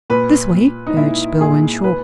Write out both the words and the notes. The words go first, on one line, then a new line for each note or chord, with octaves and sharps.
"This way," urged Bill Renshaw.
A#2 B4
A#2
D#4
A#2 E4
A#2 G#4
B4